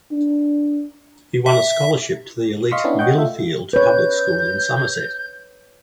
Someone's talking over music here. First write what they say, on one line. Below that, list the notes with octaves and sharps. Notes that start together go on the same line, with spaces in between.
He won a scholarship to the elite Millfield Public School in Somerset.
D4
E5
D#5 F5 C6 C#6 B6
B3 C#4 D4 E4
C#5 D#5 F#5 G5 G6
A3 F4 E5
B4 C#5 G6